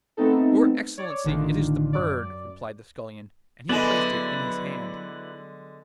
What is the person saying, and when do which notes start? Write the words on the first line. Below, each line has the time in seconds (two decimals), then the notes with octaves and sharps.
'Your Excellency, it is the bird,' replied the Scullion, and he placed it in his hand.
0.17 A3 B3 C4 D#4 A4
0.98 C#5 D5
1.24 A1 D3 D#3 D4 F4
1.93 F#2 D5
3.69 D3 F#3 G#3 B3 E4 B4 D5